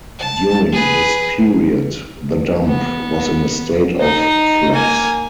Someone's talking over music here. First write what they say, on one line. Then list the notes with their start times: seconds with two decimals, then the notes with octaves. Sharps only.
During this period, the dump was in a state of flux.
0.19 A5
0.73 G#4 B4
2.67 B3
4.01 D#4
4.74 A#3 G#5